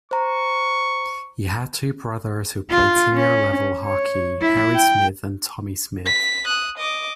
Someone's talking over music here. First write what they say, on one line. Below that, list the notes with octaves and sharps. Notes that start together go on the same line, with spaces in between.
He had two brothers who played senior-level hockey Harry Smith and Tommy Smith.
C5 A#5 C#6
F4
C#4
C#5
E4
G5
B6
D#6 F#6
D#5 D6